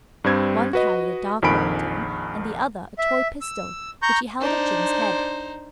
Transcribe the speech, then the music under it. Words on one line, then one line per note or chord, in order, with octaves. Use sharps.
One carried a dark lantern and the other a toy pistol, which he held at Jim's head.
G2 G3 C4 G#6
F#4 B4 D#5
A#1 F2 D#3 G#5 B5 D7
E5
E6
A#5 C#6 G6
D4 D#4 C5